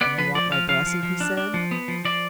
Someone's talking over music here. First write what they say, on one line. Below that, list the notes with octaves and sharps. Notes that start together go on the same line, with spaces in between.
"And you want my blessing?" he said.
B3 D5
F3 B4
F3 D5
F3 F5
F3 F5
F3
F3
D4
D4
F3
B3
F3
F3 D5